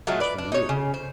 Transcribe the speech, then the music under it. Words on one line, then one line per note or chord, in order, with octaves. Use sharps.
It was from you!
F#3 G#3 A3 F4
B4 D5
D4
D#4 C#5
C#3
C5